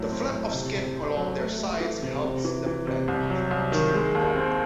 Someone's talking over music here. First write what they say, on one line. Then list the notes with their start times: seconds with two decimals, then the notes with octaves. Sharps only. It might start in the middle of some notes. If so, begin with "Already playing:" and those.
The flaps of skin along their sides help them blend with tree bark.
Already playing: A2 F#3
0.10 C4
0.31 A2
0.53 C3
0.74 C3
0.96 C4
1.16 F#3
1.38 A3
1.59 A3
1.81 E3
2.02 C3
2.23 C3
2.45 E3
2.66 E3
2.87 C3
3.08 C2
3.30 F#3
3.51 C2
3.72 D#3
3.94 G#3
4.15 D#2
4.36 C4